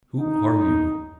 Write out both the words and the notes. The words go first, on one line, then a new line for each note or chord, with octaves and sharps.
Who are you?
D#4